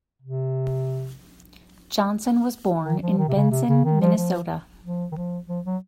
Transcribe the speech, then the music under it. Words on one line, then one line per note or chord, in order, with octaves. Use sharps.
Johnson was born in Benson, Minnesota.
C3
D#3
F3
D#3
C3
C#3
C3
C#3
D#3
F3
F3
F3
D#3
F3
F3
F#3